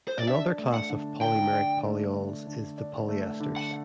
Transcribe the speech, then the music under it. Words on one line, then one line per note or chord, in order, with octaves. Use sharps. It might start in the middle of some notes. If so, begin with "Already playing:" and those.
Another class of polymeric polyols is the polyesters.
C5
D5
D4 E5
A3
F#5
D3
D3 G5
D4
A3
D3
D3
D4
A3
D3
F#5